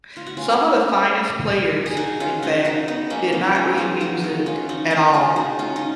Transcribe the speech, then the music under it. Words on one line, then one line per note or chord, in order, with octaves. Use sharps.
Some of the finest players, in fact, did not read music at all.
F4
F#4
C#4 F4
G#4
D#4 F#4
C#4 F4
D#4 F#4
D#4 F#4
B3 D#4
A#3 C#4
B3 D#4
C#4 F4
F4 G#4
D#4 F#4
D#4 F#4
C#4 F4
D#4 F#4
D#4 F#4
F4 G#4
D#4 F#4
C#4 F4
D#4